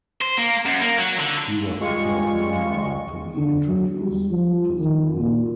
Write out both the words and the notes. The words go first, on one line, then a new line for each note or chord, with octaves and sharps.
He was the first member to be introduced to the group.
C5
A#3
F#2
A#3
F#3
D3
G3 G#3 F4 C#6 C#7
D3
F#3
G3
F3
D#3
A#2